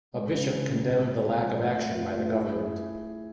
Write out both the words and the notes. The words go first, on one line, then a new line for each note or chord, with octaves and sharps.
A bishop condemned the lack of action by the government.
G#3
C#3
C#3
G#3
C4
G#3
G#3
F3
A3
A3
F4
A3
E4
G#4